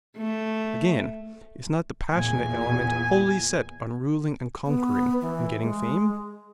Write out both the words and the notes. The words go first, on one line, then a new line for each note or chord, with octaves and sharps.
Again, is not the passionate element wholly set on ruling and conquering and getting fame?
A3
E2 A#2 G#5
B3
E3
G#3